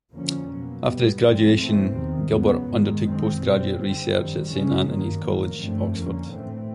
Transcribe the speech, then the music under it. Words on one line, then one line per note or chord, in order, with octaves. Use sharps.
After his graduation, Gilbert undertook postgraduate research at Saint Antony's College, Oxford.
F2 D3 F3 A#3 C#4
B2 F#3 A#3
B2 G3 B3
G#2 F3 G#3 C4
A2 E3 A3 C4
E2 C3 D#3
E2 C#3 F#3 B3
G#2 D#3 G#3
F#2 D#3 G#3 C4
B2 G3 C4
D3 G3 C4
F#2 D#3 G3
C#3 E3 G#3 C#4
G2 D#3 F#3 A#3
A2 F#3 A#3
G2 D3 F3 A3 C4
F2 D3 F3 A#3 C#4
A2 E3 A3 C4